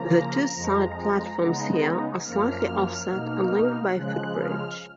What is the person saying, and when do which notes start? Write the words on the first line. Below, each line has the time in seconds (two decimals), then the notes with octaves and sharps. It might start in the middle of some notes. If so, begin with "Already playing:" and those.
The two side platforms here are slightly offset and linked by a footbridge.
Already playing: C#3 F3 A#3 A#5
0.56 F2 F3 G#3
1.40 C#3 G#3 B3 D#4
2.25 F#2 F3 A#3 F6
3.10 B2 A#3 D#4
3.95 C#3 F3 G#3 F#6
4.38 F6